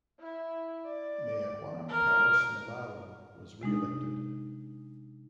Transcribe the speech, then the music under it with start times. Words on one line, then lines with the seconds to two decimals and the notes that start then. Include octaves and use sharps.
Mayor Juan Carlos Navarro was re-elected.
0.20 E4
0.86 D5
1.89 A#4
3.62 C3 G#3 D4 D#4